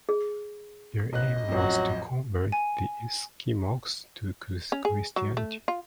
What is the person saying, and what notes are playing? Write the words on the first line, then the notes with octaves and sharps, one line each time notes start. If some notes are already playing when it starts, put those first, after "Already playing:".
Their aim was to convert the Esquimaux to Christianity.
G#4
A1 D#5 F#6
A1 F2 F#3
G#5
C#4
G#4
F#3
A3
F4